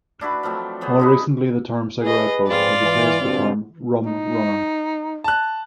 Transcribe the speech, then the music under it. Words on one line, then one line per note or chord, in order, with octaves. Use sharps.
More recently the term "cigarette boat" has replaced the term "rum-runner".
D4 E4 F#4 B4
F3 F#3 A3 C4
F#3 B3 G#4 C5
D#4 E4 B4
G#4 B4 D#5
F2 G#2 C4 F4 G#4 D5 F6
E3
G2 B2 D3 C4
D#4
A5 F#6